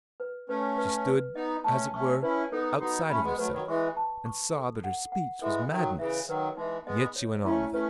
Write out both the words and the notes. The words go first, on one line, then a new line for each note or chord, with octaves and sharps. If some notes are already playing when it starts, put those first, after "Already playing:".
She stood, as it were, outside of herself, and saw that her speech was madness; yet she went on with it.
B4
A3 C#4 B4
B4
B4
B3 D#4 D#5
A3 C#4 A5
A3 C#4 C#6
C#4 E4 B4
B3 D#4 A4
B3 D#4 F#4
A3 C#4 B5
G#3 B3
F#3 A3 B4
D#3 F#3
E3 G#3 C#6
A5
C#6
A4
F#5
F#5
E3 G#3 A4
D#3 F#3 E5
C#3 E3 E5
D#3 F#3 B4
E3 G#3 D#4
G#3 B3 D#5
C#5
A3 C#4 E4
A3 C#4 B4